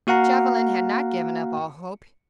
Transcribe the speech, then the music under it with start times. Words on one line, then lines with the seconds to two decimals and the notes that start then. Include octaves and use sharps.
Chauvelin had not given up all hope.
0.07 A#3 F#4 F5 F#5 A#5